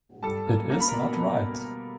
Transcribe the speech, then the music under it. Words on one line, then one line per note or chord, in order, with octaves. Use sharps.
It is not right!
G3 A4 A5
A#3
A#3 A#5
B5
A#4 A#5
B2